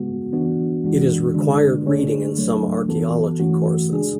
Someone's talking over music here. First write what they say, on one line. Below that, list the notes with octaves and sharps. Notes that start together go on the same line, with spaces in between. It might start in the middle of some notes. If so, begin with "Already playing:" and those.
It is required reading in some archaeology courses.
Already playing: C#3 G#3 B3 F#4
E3 B3 D4 F#4
F#2 E3 G#3 D4 F#4
D3 G#3 D4
D3 A3 D4 G#4 C#5
C#2 C#3 F#3 A3 D4
F#2 E3 B3 F#4 A4
F#2 E3 A3 C#4 F#4
C#3 G#3 D4 G#4